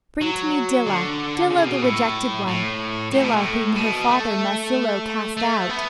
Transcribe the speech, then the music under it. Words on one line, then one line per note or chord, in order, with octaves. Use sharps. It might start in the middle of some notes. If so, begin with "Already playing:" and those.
Bring to me Dilah, Dilah the rejected one, Dilah, whom her father Masilo cast out!
F#3
D3
C#3
B2
A2
A2
A2
B2
A2
B2
A3
A3
B3